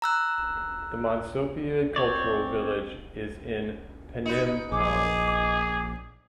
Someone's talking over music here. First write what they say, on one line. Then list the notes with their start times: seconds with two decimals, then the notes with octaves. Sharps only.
The Monsopiad Cultural Village is in Penampang.
0.02 A#5 E6 F#6
1.96 C4 C#5 D5
4.26 D#4 B4
4.72 A#1 G#4 D6